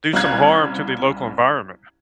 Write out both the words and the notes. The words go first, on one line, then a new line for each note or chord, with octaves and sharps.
do some harm to the local environment.
C2 C#4 F5 A#5 F#6 G#6